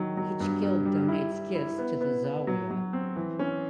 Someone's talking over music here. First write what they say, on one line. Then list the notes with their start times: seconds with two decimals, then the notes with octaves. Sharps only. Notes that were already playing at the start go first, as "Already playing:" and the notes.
Each guild donates gifts to the zawiya.
Already playing: D#3 F#3
0.17 F#3
0.40 G2
0.63 G2
0.85 G3
1.09 E4
1.32 E4
1.55 E4
1.78 B3
2.01 B3
2.24 B3
2.47 F#3
2.71 F#3
2.93 C4
3.16 E3
3.39 C#4